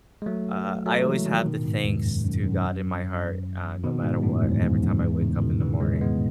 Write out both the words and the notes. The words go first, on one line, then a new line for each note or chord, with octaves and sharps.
uh, I always have the thanks to God in my heart, uh, no matter what, every time I wake up in the morning.
G#3
F#3 A3
F#3 A3
E3 G#3
D#3 F#3
B2 D#3
A2
G#2 B2
E2 G#2
F#2
F#2
F#2
B2 D#3
G#2 B2
F#2 A2
E2 G#2
E2 G#2
F#2
E2 G#2
A2 C#3
B2 D#3
C#3 E3
E3 G#3
G#3 B3